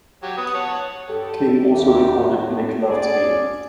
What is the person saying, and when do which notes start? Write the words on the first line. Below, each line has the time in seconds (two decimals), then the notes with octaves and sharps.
King also recorded "Make Love to Me".
0.23 F#3 G4
0.37 B3 B4 D#6
0.54 C#5 F#5 A5
1.09 G2 G4 A4
1.71 D#2 A#2 C#3 F#4 G4 E5
2.17 A2
2.87 C#4 G#4 D5